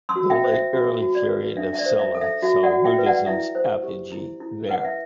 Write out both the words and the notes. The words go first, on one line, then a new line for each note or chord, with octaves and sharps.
The late early period of Silla saw Buddhism's apogee there.
C6 E6
F#4
E5 G5
C5
E5
F#4 E5
F#4
D5
B4
D4 E5
E5
D5
C5
E5
A4
E5
F#4 E5
D5 F#5
F#4
E5 G5
B4
D5 F#5
E4 E5
C5
G4
E4
E4
B4 F#5
E5